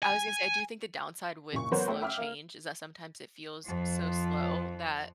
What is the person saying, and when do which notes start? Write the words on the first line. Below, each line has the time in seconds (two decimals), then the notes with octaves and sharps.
I was gonna say, I do think the downside with slow change is that sometimes it feels so slow that
0.03 G#5
1.53 F#1 A#2 C#6
1.71 F#3 B3 F#4 A#4 C5 C#5
1.88 A3 E5 F#5 G5
2.02 E5 G5 D6 F6
2.18 A#3
3.65 F2 F3